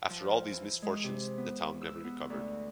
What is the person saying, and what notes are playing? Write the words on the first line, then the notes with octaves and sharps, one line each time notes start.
After all these misfortunes, the town never recovered.
F3
E3
G#3
C3
B3
E6
B3
D2